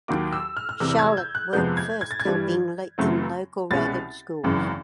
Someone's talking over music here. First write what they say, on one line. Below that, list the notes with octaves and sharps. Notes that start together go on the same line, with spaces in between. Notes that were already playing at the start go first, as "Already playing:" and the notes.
Charlotte worked first helping in local ragged schools.
D#2 D#3 F#3 A#3 D6
E6
F6
F6
E2 C3 E3 E6
G#6
G6
F#6
F2 C3 F3 G#3 B3 G6
G#6
G#6
A6
G#6
G2 E3 G3
F#2 C#3 F#3 A3 C4
C2 B2 G#3 C#4 A6
G#1 F#2 C#3 E3